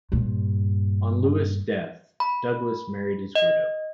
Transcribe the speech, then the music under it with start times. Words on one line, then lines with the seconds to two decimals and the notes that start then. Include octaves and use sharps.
On Lewis' death, Douglass married his widow.
0.12 G2 A#2
2.20 B5
3.35 D#5